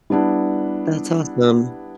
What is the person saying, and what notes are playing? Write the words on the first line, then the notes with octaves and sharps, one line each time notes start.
That's awesome.
G3 B3 D4 E4